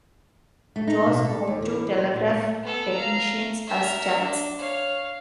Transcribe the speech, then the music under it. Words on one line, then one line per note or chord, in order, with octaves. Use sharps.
It was known to telegraph technicians as 'chats'.
A3
D#4
B2
A4
D#2
E3
C5
A#2
A3
B3 A4
F5 A#5
A#4 E5
D4
C#5 F5